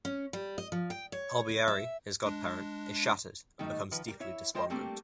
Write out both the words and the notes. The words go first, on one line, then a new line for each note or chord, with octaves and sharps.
Albieri, his godparent, is shattered and becomes deeply despondent.
C#4
G3
D#5
F3
G5
C#5
E5
G#3 D4
D#3 G3 A3 D#4
D#3 F3 B4
G3 F4 A#4
E4 C#5 E5
G#3 F4 C5 D#5 G5
G3 A3 A#3 C4 D4 G4